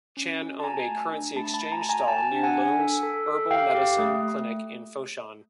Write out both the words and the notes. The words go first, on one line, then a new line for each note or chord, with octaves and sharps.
Chan owned a currency exchange stall near Leung's herbal medicine clinic in Foshan.
C#4
F#4
A5
F#4 G#5 A#5
A3
D4
A3 A5 B5
A5 B5
A3
G#5 A#5
F#4
G#5 A#5
F#4 G5 A5
D4
F#5 G#5
D4
A4
A4
A4
G4 F5 G5
G4
A3
A3